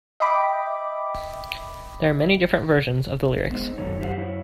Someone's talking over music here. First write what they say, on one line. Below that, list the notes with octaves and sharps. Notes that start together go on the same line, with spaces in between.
There are many different versions of the lyrics.
D#5 E5 G5 B5 D6
G#3 A3 B3 C4 D#4
F#2 D#3 D#4 A4 C#5
F#2 G4 C5 F5 F#5
F#2 E4 C#5